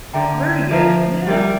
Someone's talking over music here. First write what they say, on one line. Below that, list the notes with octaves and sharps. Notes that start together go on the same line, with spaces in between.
Very good yeah.
D3 D4 A4 E5 G5 A#5
F3 A4 E5 A#5
G3 G4 A#4 E5